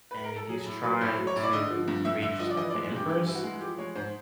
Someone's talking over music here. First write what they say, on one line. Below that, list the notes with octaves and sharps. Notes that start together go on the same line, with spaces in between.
and he's trying to reach, like, the Empress,
B4
A#4
A4
F#3 G#4
A2
F#3 B4
A2 C5
F#3
C#5
A2
D5
D3 D#5
F3
G2
G2 E5
D3 E5
F3 D#5
D5
E3 D#5
D5
G#3
G2 G4
G2 G4
E3
F#4
G#3
F3 G4
G#3 C#5
G#2 C5